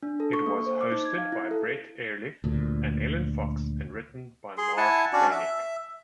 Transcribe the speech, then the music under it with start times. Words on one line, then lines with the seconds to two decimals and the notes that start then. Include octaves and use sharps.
It was hosted by Brett Erlich and Ellen Fox and written by Mark Ganek.
0.03 D4
0.20 A4
0.33 C#6
0.46 A#3
0.66 C5
0.81 D6
0.92 D#4
1.05 G#6
1.18 F5
1.32 E4
1.51 A4
2.44 D2 A#2
4.58 G#4 C6
4.77 E4 F#5 G#5 A5
5.13 C#4 D4 F#4 D5
5.31 E5